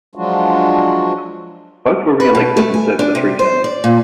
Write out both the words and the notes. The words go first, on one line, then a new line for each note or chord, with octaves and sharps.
Both were re-elected and served for three terms.
F3 F#3 G#3 D4 F4 F#4
B4
B2
A3
G#5
D4
C3
C5
D5
A#2